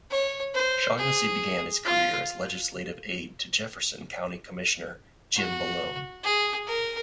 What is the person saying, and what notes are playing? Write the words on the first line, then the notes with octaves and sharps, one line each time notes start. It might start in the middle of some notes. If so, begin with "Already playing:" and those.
Shaughnessy began his career as legislative aid to Jefferson County Commissioner Jim Malone.
C#5
C5
G#4
F4
F#4
G#4
A#4